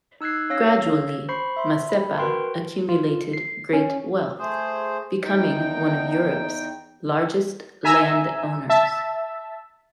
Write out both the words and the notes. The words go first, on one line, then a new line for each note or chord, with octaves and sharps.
Gradually, Mazepa accumulated great wealth, becoming one of Europe's largest land owners.
D#4 E6 F#6 G#6 C7
C#4 C#5 F5 E6 A#6 C7
C5 B5 C#6 C7
E5 C6
B5
F#4 A#4 B4 G5 C6
F4
C7
C#4
A3 G#4 C5
E2 D#4 G5
E5 G#5 A#5 E6
E5 A5